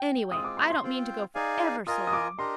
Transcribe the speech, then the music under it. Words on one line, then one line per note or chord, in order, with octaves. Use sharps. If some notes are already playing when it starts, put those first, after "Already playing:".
Anyway, I don't mean to go for ever so long.
Already playing: G5
G#3 C4 F4 D#6
D6
C6
C6
C4 F4 C5 G5
D#4 G#4 D5 F5 G#5
F4 A#4 D#5 G#5 D#6
D#6
D6
D4 G4 A#4 D#5 C6